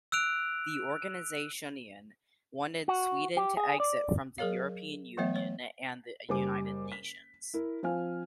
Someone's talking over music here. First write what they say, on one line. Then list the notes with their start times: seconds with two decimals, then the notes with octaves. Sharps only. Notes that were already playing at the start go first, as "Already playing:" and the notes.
The organizationion wanted Sweden to exit from the European Union and the United Nations.
0.12 E6 F#6 D7 F7
2.88 F#4
3.37 G4
3.57 G#4
3.80 D5
4.38 F#3 G#4 A#4 C#5 F5
5.17 E3 F#3 A3 B3 C#5 E5
5.36 C#5
6.29 F#1 G3 C5 G#5 D6
6.92 B6
7.54 E4 A#4
7.83 F3 C4 F5 G#5 F6